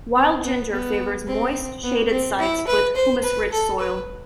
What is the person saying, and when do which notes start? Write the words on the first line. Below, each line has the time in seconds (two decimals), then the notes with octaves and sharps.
Wild ginger favors moist, shaded sites with humus-rich soil.
0.15 C4
0.43 B3
0.71 B3
1.27 C4
1.83 B3
2.11 C4
2.39 E4
2.67 B4
2.96 C5
3.23 B4
3.51 A4
3.80 B4